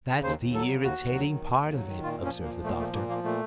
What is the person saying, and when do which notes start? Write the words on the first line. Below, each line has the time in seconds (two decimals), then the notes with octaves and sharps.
"That's the irritating part of it," observed the Doctor.
0.09 C#3
0.23 D#2 C5
0.39 D#2
0.53 F#3 A4
0.68 C#3
0.83 D#2 F#4
0.98 D#2
1.14 F#3
1.28 D#3
1.43 D#2
1.58 D#2
1.73 F#3
1.88 D#3
2.03 A#2 F4
2.19 F3 C#4
2.34 A#2
2.44 A#3
2.49 F3
2.64 A#2 A3
2.78 F3 A3
2.93 A#2 A#3
3.08 F3 A#3
3.23 A#2 A3